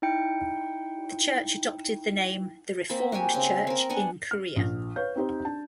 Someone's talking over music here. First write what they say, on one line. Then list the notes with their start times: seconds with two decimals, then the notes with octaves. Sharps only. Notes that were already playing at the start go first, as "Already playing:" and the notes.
The church adopted the name the Reformed Church in Korea.
0.02 D#4 E4 G5 C#7
2.89 A#3 C4 B5
3.12 F#4 G4 G5 G#5
3.34 C#3 C4
3.67 C4 A#4
3.89 B3 D4 F#5 G#5
4.31 F6
4.56 A#1
4.96 B4 C#5 F5 G6
5.16 C4 D#4 G4 C5
5.45 D4 A5